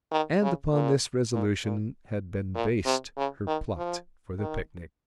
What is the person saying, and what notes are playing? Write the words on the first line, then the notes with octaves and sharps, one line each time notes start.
And upon this resolution had been based her plot for the picnic.
D#3
C#3
A#2
A#2
A#2
A#2
C3
C#3
D#3
F3
D#3